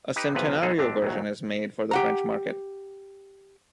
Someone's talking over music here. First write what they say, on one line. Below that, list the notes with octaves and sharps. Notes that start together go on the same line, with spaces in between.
A centenario version is made for the French market.
D#4 G4 B4
B1 E2 C3 F3 B4
B1 G#3 D#4 G#4 A4
G#1 C4 D4 G4
A#1 D#2 F#3
G4 F#5 A#5